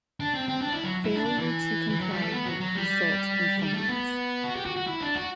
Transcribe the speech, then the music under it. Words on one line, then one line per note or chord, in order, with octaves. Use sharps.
Failure to comply would result in fines.
D4
C4
C4
D4
E4
F#3
E4
D4
D4
E3
E3
F#3
G3
A3
B3
F#3
F#3
G3
G3
A3
B3
F#4
G4
F#4
F#4
E4
D4
F#4